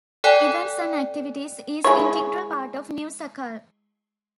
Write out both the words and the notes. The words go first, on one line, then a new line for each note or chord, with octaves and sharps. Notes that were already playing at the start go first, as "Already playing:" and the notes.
Events and activities is integral part of new Sakal.
A4 D5 G5 G#5 F#6
G#3 E4 C#5